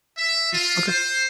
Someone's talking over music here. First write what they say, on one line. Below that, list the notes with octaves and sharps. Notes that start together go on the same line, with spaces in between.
Hm. Okay.
E5
F4
C5